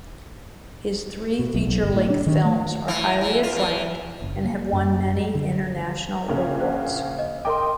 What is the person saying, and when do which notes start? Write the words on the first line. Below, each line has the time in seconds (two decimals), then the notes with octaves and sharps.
His three feature length films are highly acclaimed and have won many international awards.
1.39 B2
1.55 B1
1.67 B1
1.83 G1
1.95 A2
2.10 D4
2.27 D#3
2.45 A3
2.88 E3
3.21 E3
3.43 F4
3.57 E3
4.22 F#1
4.45 A#3
4.73 F#2
5.35 D3
6.28 A#1 A#2 C#3
6.60 C5 F#5
7.18 D#5
7.45 A#4 D#5 G5 C6 D6